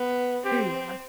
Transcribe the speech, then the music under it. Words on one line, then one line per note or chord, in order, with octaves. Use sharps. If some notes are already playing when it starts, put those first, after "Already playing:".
"Here you are!"
Already playing: B3
C4 G4